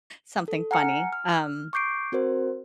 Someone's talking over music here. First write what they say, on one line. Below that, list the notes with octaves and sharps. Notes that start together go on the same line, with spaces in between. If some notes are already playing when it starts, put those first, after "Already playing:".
something funny, um,
A4
F#5 G#5 A#5 F6 C#7
F6
C#6 D6 G6 C7 D7
C4 F#4 A#4 C5